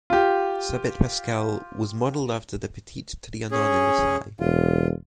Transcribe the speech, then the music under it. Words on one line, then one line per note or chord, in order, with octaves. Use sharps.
Sabet Pascal was modeled after the Petit Trianon in Versailles.
F4 G4
C#4 G#4
E1 F4